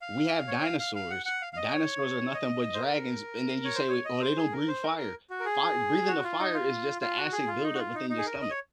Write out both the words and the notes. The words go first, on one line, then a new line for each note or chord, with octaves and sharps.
we have dinosaurs. Dinosaurs are nothing but dragons, and then you say, we "Oh, they don't breathe fire." Fire breathing the fire is just the acid buildup within your stomach.
F5
C#5
F5
F5
F5
F#5
F#5
F5
F5
D#5
C#5
D#5
C5
A#4
C#5
C5
C#5
D#5
C5
G#4
A#4
C5
A#4
A#4
F#4
A#4
G#4
F#4
F4
D#4
F4
F4
F#4
G#4
F4
D#4
F#4
F4
D#4
D#4
G#4
A#4
D#5
C#5